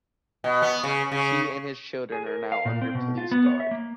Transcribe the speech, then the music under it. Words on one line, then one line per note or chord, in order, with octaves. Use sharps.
She and his children are now under police guard.
B2
B3
C#3
C#3
G#4
A#4
F5
A#2
C4
B2
F4
B3
C#5
E5
A#3